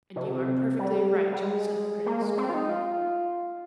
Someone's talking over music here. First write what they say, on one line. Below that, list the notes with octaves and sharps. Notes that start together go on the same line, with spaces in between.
"And you are perfectly right," said the prince, coldly.
C3
D3
C3
G3
G3
G#3
A#3
G#3
C4
F4
D#4
F4